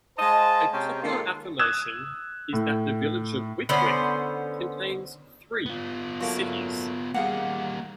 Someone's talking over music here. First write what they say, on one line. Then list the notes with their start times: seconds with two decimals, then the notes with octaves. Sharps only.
A popular affirmation is that the village of Whitwick contains three 'cities'.
0.18 G#3 C5 D#5 F5 A5
0.71 C3 G#3 C#4 C5 G5 A#5
1.02 D#3 G#3 A#3 F4 A4 C6
1.59 D#6 E6 F#6 G#6 E7
2.53 A2
3.69 D3 B3 C#4 C5
5.66 B3 F4
6.20 F#3 A3 A#3
7.14 G3 A#3 G#4 F5 F#5